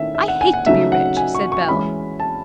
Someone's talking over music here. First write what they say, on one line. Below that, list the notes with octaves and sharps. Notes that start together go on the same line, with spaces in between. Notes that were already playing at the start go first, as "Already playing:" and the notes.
"I hate to be rich," said Bell.
Already playing: D#3 A3 C#4 E4 E5
E5
F#5
G#5
F#5
C#3 F#3 A3 D#4 E5
F#5
G#5
C#6
C#6
E3 G#3 C#4 E4 B5
A5